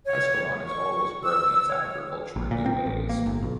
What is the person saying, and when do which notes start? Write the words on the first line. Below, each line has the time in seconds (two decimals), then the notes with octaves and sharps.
Escalon is always growing its agriculture in new ways.
0.05 C#5
0.66 C#6
1.22 E6
1.69 C#5
2.36 A#1
2.51 A#2
2.66 C4
2.86 A1
3.09 A#3
3.26 G1
3.43 B1